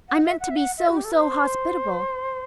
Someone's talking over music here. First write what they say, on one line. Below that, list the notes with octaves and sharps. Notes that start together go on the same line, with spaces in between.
I meant to be so--so--hospitable.
F#5
E5
F#5
E5
F#5
E5
F#4
G4
A4
B4
C5